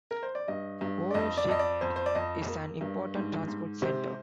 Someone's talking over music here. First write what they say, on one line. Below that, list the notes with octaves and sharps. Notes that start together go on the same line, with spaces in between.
Volochysk is an important transport center.
A#4
C5
D5
G2 D#5
G2
D5
F2 D#5
D5
F2 D#5
D5
F2 C5
C5
D5
F2 D#5
A#3
G2
G#2
G#2
C3 C5